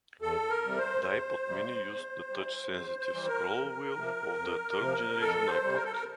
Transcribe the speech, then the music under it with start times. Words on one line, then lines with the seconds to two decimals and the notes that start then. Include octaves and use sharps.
The iPod Mini used the touch-sensitive scroll wheel of the third generation iPod.
0.21 E2 A4
0.50 A#4
0.64 C3 G3
0.77 C5
1.05 E2
1.46 C3 G3
1.88 E2
2.29 E3 G3
2.71 E2 C5
2.99 C5
3.13 E3 G3
3.26 A#4
3.54 F2
3.96 C3 F3
4.37 F2
4.79 C3 F3
5.20 F2 A4
5.48 C5
5.62 C3 G3
5.76 A#4
5.84 A4
5.92 A#4